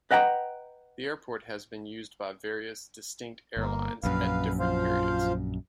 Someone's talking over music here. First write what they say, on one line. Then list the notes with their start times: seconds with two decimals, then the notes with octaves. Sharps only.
The airport has been used by various distinct airlines at different periods.
0.11 B4 D#5 F#5 G5 A5 A#5
3.57 G1 A#3
4.04 A#1 F#2 B4 F5
4.59 F3 C5 F5